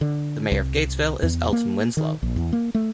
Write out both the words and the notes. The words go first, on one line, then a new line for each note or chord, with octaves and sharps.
The mayor of Gatesville is Elton Winslow.
D3
C2
E2
A#3
D#3
A#1
E2
A#3
A3